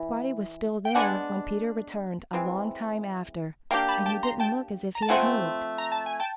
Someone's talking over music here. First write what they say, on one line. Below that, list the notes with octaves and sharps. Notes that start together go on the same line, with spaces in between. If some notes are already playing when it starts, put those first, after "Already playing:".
Spotty was still there when Peter returned a long time after, and he didn't look as if he had moved.
Already playing: E3
G5
G#3 B3 D4 F#5 G#5
E3 G#3 C4
A#3 D4 G4 F5 G5
A5 B5
G5 A5
A#5 C6
G5 A5
A#5
A5
F3 A3 C4 F#5 G#5
A#5
A5
G#5
G5 A5